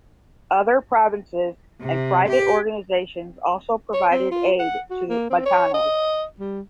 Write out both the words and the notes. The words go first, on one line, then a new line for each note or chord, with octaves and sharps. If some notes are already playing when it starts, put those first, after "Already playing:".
Other provinces and private organizations also provided aid to Batanes.
C3
G4
C#5
C4
F4
F#5
F#4
A#3
C4
C#5
D#5
G3